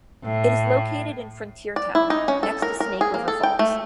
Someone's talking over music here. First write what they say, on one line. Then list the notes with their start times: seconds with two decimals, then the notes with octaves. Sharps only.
It is located in Frontiertown, next to Snake River Falls.
0.24 A2
1.76 D5
1.95 E4
2.10 D#4
2.28 C#4
2.43 A4
2.62 A#4
2.80 A#4
3.01 G#4
3.14 A#3
3.28 A4
3.43 G5
3.59 A3